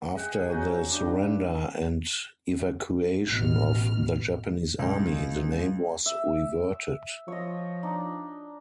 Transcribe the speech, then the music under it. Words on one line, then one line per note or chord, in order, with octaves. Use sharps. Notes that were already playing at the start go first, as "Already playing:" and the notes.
After the surrender and evacuation of the Japanese army, the name was reverted.
G#4 D#5 F#5 G5
C#4 D#4 F#4
G2 D4 D6
A1 B2 F6
C#2
E5
F3 C#5 D#5
D4 D#4